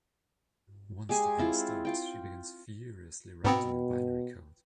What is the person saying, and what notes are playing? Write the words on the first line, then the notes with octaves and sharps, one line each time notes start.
Once the pain starts she begins furiously writing in binary code.
G#3 G4 G#4 G#5
C4 E4 F4
F4 G5
G#2 B2 B3 C4 B4 G5 B5